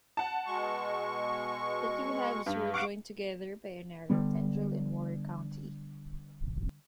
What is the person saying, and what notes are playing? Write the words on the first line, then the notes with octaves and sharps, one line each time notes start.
The two halves were joined together by a narrow tendril in Waller County.
F#5 A5
B2 G#3 C#6
G2
F5 F#5 C#6 D6 D7
D3 G3 B3